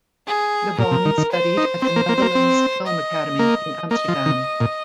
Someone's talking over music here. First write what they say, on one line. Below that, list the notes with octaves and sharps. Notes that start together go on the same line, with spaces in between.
Lebon studied at the Netherlands Film Academy in Amsterdam.
G#4
A#2 A#4
C3
D#3
D#3
C5
D#4
C4 C5
A#3
A#3
C4
A#3
C4
D#5
A#3
A#3 D#5
F3
D#3
A#2